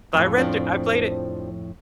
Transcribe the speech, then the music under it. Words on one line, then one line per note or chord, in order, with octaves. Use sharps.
But I read thro I played it
F2 A2
F3 C4 D4